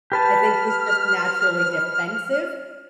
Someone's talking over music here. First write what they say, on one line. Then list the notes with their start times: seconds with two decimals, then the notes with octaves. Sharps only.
I think he's just naturally defensive,
0.12 G4 B4 A5 F6